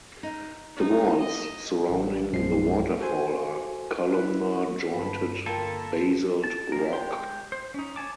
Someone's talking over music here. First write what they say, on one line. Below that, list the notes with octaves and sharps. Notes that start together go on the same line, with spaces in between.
The walls surrounding the waterfall are columnar jointed basalt rock.
D#4
D#4
D#5
A1
A#1 F#2 F3 G#3 C7
F#4 A4 C5 G#5 C6
D4 E4 B4
G2 D3 B4 A5 B5
A#3 F4 A4 A#4 G5 A5 B5 C6
A5
F3 A#4
G#3 G4 C6
C5
C#4 D#4
C#5 G#5 A5 D6